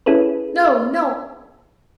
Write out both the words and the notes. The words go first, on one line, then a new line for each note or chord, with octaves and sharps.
No! no!
C#4 E4 G#4 A4 B4